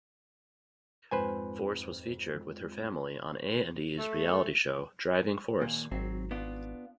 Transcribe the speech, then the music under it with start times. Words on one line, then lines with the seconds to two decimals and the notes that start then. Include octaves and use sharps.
Force was featured with her family on A and E's reality show "Driving Force".
1.11 F2 G#2 B4 C5 G#5
3.98 A3
5.61 D#2 A#2
5.91 G#1 F#3 C4
6.31 B3 D4 F4